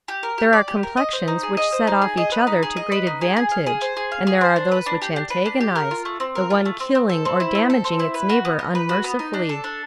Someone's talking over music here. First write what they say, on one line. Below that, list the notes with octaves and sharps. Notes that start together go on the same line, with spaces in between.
There are complexions which set off each other to great advantage, and there are those which antagonize, the one killing or damaging its neighbor unmercifully.
G4
A#4
G4
D5
G4
A#4
D#5
C5
D#4
G#4
D#5
C5
D#4
G#4
D#5
B4
D#4
G#4
D#5
B4
D#4
G#4
G#4
F5
G#4
C5
G#4
F5
G#4
C5
D4
B4
D4
G4
D4
B4
D4
G4
A#4
F4
A3
C4
A#4
F4
A3
C4
C4
A4
C4
E4
C4
A4
C4
E4
B4
F#4
B3
D#4
B4
F#4
B3
D#4
D4
A4
D4